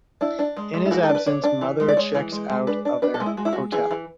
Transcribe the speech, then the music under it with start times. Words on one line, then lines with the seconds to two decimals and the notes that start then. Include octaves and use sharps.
In his absence Mother checks out of their hotel.
0.21 D4 E4
0.39 D4
0.57 G#3
0.74 G#3
0.86 E4
0.91 E3 F#4
1.03 A4
1.09 D4
1.15 B4
1.26 D4 C#5
1.44 D4
1.61 E3
1.80 G#3
1.89 D5
1.97 G#3 C#5
2.15 E3
2.32 G#3
2.49 G#3
2.67 D4 B4
2.85 D4
3.02 D4 B4
3.14 A4
3.20 G#3
3.26 E4
3.37 G#3 F#4
3.45 E4
3.53 F#4
3.56 G#3
3.72 E3 G#4
3.91 E3